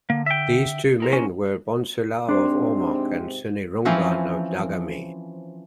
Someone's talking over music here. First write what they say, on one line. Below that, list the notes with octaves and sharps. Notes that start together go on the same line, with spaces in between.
These two men were Bonsilao of Ormoc and Sinirungan of Dagami.
D3 A#3
E5 G5
E4 A#4 C5
C#4
G#2 C3 C4 D4 C5
E3 F3 C4 C#4